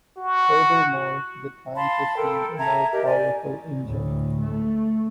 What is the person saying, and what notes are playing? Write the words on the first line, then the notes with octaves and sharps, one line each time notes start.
Furthermore, the tank received a more powerful engine.
F#4
F5 A5 B5 C6
A4 A#4 G5
E5 A5 A#5 G#6
G4 A#4 D#5
D5 G#5
D2 A2
A3